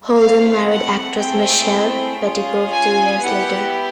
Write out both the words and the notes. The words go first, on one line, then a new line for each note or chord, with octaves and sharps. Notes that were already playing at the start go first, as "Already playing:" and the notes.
Holden married actress Michelle Pettigrove two years later.
A3 C4 E4 F5
F#5
A3 C4 E4 G#4 G5
C#4 F4 G#4
G#5
B3 E4 G4 F#5